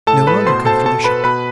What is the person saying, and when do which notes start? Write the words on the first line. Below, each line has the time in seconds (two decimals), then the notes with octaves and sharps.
Noah, look after the shop.
0.07 A2 A4 A5
0.27 A2 B4 B5
0.46 B2 C5 C6
0.65 B2 A4 A5
0.85 B2 A4 A5
1.04 B2 B4 B5
1.24 B2 B4 B5